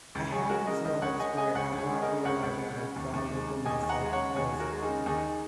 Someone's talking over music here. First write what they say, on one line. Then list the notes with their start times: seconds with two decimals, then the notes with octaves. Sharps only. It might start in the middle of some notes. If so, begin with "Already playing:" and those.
I have these moments where I'm not realizing I've gone within myself because
0.15 C#2
0.32 C#2 G#4 C#5
0.49 G#3 F#4 A#4
0.67 C#3 A#4 D#5
0.85 C#2 A#4 D#5
1.02 C#2 C#5 F#5
1.19 G#3 D#5 G#5
1.37 C#3 D#5 G#5
1.55 C#2 C#5 F#5
1.73 C#2
1.78 G#4 C#5
1.90 G#3
2.02 A#4 D#5
2.08 C#3
2.25 C#2 C#5 F#5
2.42 C#2
2.61 G#3
2.78 C#3
2.96 D#2
3.13 D#2
3.31 G#3
3.48 C#3
3.65 D#2 D#5 G#5
3.83 D#2
3.89 F#5 A#5
4.01 G#3
4.13 C#5 F#5
4.18 C#3
4.35 D#2 G#4 C#5
4.53 D#2
4.60 F#4 A#4
4.72 G#3
4.82 D#4 G#4
4.88 C#3
5.06 D#2 D#4 G#4